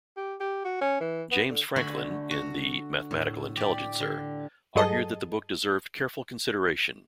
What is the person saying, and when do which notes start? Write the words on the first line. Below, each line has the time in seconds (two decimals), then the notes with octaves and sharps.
James Franklin in the "Mathematical Intelligencer" argued that the book deserved careful consideration.
0.17 G4
0.40 G4
0.65 F#4
0.81 C#4
1.00 E3
1.31 B3
1.49 D3
1.76 D3 A3 F#4 G#5 B5
2.31 F#4
3.11 A2
3.57 G4 D5
4.00 D3
4.76 G2 F#3 G#4 A4 D#5 A5